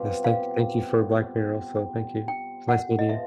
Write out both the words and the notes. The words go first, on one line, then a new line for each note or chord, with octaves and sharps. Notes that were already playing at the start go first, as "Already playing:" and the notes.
Yes, thank thank you for Black Mirror, also. Thank you. It's nice meeting you.
Already playing: B2 G3 C4 F4
F5
G5
F#5
D#5
F3 G#3 B3 E5